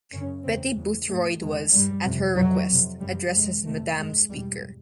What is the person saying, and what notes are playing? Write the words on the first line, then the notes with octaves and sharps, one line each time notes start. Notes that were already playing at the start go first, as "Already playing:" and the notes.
Betty Boothroyd was, at her request, addressed as "Madam Speaker".
F#2 C#3 C#4
E2 C#3 C4
E2 C#3
G#2 A3
E2 C#3 G#3
G2 G3
F2 C3
F2 C3 F#3
F2 C3
F#2 C#3 G3
F2 C3 G#3
F2 C3 A3
G2 G#3
E2 B2 G3